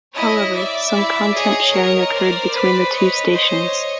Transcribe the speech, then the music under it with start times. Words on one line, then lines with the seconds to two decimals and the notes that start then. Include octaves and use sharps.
However, some content sharing occurred between the two stations.
0.15 E4 C#5 D#5
0.55 D5 E5
0.94 E4
1.33 G#4 C#5 D#5
1.73 A#4
2.13 C5 D5
2.53 B4
2.93 C#5 D#5
3.32 C5 C#5 D#5